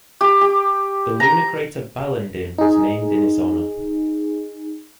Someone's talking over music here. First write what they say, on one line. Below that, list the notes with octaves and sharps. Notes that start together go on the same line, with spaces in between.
The lunar crater Balandin was named in his honour.
G4
G4
A#5
D#4 G#4